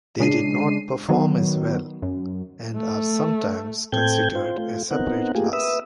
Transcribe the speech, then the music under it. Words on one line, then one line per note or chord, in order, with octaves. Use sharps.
They did not perform as well, and are sometimes considered a separate class.
C#3 G#3 D4 C7 D#7
D#3 F#3 B3
F#2
A3
A2 C4 A4 G5 G6 G#6
F4 C5
A3 F4
B3 C4 D#4 A#4 F#5
A3 A#3 F4 G4 G#4
B4 E5 D#6 E6